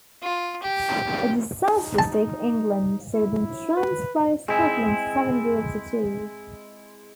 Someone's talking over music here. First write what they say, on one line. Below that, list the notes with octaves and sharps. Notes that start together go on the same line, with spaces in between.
A disastrous day for England saw them trounced by Scotland seven goals to two.
F4
G4
D#4
A5
E4
B4
G#3 C4 E4